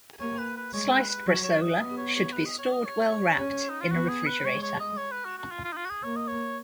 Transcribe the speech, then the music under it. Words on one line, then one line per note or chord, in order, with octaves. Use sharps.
Sliced bresaola should be stored well wrapped in a refrigerator.
A#3 C#5
B4
B4
G#3 C#5
B4
B4
F#3 C#5
C#5
D#5
B3 D#5
C#5
C#5
B4
D#5
C#5
D#5
C#5
C#4
D#4
F4
B3 F#4
G#4
B4
G#3 C#5
C#5
D#5
C#5
B4
F#4
F#4
F4
F4
D#4
F4
F#4
G#4
A#3 C#5
D#5
C#5